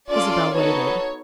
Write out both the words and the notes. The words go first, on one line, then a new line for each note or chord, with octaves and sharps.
Isabel waited.
C#4 F4 A4 D5
B3 D#4 F#4 A4 C#5